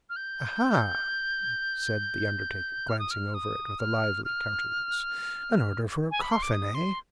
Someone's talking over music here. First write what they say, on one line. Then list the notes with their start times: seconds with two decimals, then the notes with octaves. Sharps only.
'Aha!' said the undertaker, glancing over it with a lively countenance; 'an order for a coffin, eh?'
0.10 F6
0.16 G6
2.89 F6
2.99 D#6
3.11 F6
3.34 D#6
3.79 F6
4.25 F6
6.11 G#5
6.21 B5
6.32 C6
6.42 D6
6.52 D#6
6.74 C6